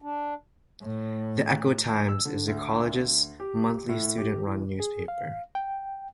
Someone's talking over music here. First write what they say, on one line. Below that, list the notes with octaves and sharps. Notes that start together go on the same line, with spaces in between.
"The Echo Times" is the college's monthly student-run newspaper.
D4
A2
E6
D3
D2
G4
A2
G4
E3
G#4
F5
G5